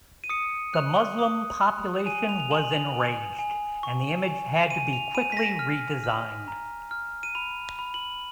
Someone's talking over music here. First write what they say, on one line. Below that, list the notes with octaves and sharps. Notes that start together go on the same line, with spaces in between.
The Muslim population was enraged and the image had to be quickly redesigned.
D#7
D#6 C#7
F#6
D#6
F#6
G#5 D#7
F7
F7
G#5 F#7
F7
G#5
G#5
C#6
G#5
G#5 D#7
F7
G#5 D#7
B6
A#6
F6
F6
A#5
F6
D#7
B5 F7
B5
F#7